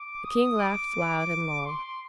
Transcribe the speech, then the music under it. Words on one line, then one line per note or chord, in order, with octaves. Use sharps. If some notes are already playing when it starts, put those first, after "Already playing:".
The king laughed loud and long.
Already playing: D6
D#6
D6
C6